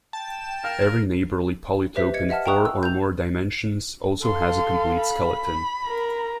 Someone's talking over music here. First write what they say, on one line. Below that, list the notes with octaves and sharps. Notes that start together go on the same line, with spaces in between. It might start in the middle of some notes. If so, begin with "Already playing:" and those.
Every neighborly polytope in four or more dimensions also has a complete skeleton.
G5 A5
A#4 F5 F6
G4 B4 C5 E5 B6
D#5 G#6 C#7
D#5 E5 F#5 A5 F6
G5 A5 A#5 C#6 D#6 F#6
E6
G6 F7
A4 F5 C6
B5
A#4 A#5